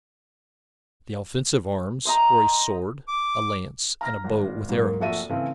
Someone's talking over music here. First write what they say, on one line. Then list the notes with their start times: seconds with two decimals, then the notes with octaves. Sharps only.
The offensive arms were a sword, a lance, and a bow with arrows.
2.05 C5 D#5 A#5
3.08 D6
4.01 A#5 F6 A#6
4.24 G#1
4.69 G#2 F#3 A#3
5.00 F1 A#1 F#4 A4 E5 D#7
5.29 C#3 E3 A3 C4